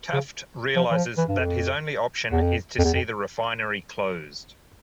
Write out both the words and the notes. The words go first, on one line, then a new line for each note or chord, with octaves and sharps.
Taft realizes that his only option is to see the refinery closed.
C#3
F3
E3
F3
E3
G2
F2
E2
F2
F2
E2
F2